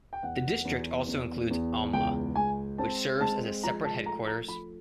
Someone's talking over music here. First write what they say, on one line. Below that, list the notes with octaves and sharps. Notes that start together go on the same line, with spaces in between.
The district also includes Amla, which serves as a separate headquarters.
G5
E2 F#5
E2
E2
E2
C#2 G5
G#3 G#5
C4 A5
G#3 A5
F3 A#5
A5
A3 A#5
A#5
F3 B5